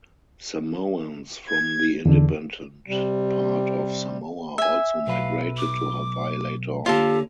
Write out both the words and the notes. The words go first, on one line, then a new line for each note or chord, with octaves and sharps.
Samoans from the independent part of Samoa also migrated to Hawaii later on.
G#6
E2 D3
C3 G3
E5 G#5
B1 F#3 B4 F5
D6
D3 A#3 F4 G4 A4 C#5